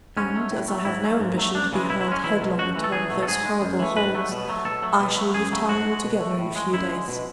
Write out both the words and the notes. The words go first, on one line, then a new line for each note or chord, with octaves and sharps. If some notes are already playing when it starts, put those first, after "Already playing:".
And, as I have no ambition to be hurled headlong into one of those horrible holes, I shall leave town altogether in a few days.
G#2 C#4
F#3 A3
A2
F#3 A3
G#2 E4
F#3 A3
G#2
F#3 A3
F#2 D4
C#3 E3 G#3
B2 E4
E4
G#3
C#4
E2 E4
B2 F#3
F#2 F#4
E3 A3
A4
E2 G#4
B2 F#3 A3
A4
G#2 G#4
G#3
F#2
E3 A3
G#2 B4
F#3 A3
B2
F#3 A3
B2 A4
F#3 A3
B2
F#3 A3
F#2 G#4
C#3 F#3 A3
G#2 F#4
G#3
B2
A3
A2
G#3
F#2 E4
D3 G#3
B2